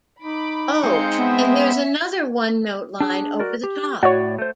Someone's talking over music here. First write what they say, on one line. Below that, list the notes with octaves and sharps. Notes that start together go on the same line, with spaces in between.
Oh, and there's another one-note line over the top.
D#4 B5 D6
G#3 C4 F5 G6 C#7
B3 E5
D4 G#4
F#4 A#4 D5
G4
A2 F#4 C#5 D5
A3 C5